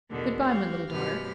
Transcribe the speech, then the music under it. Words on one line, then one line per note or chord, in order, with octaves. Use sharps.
Good-bye, my little daughter.
E2 B2 D3 D#3
F#4 G4 F5
F#2 B2 F3 G4 B4 F6